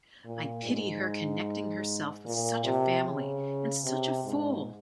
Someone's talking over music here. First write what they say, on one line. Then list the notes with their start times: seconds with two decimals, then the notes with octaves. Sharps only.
I pity her connecting herself with such a Family, and such a fool!
0.25 A#2
0.65 G#2
2.25 A#2
2.64 C3
3.05 C#3
3.84 C3
4.24 G#2